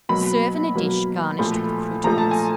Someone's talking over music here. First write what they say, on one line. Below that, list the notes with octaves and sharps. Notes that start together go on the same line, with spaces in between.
Serve in a dish garnished with croutons.
B2 F#3 A#3 B5
B2 F#3 A#3
A#2 F3 A3 B5
A#2 F3 A3 A#5
A5
G#5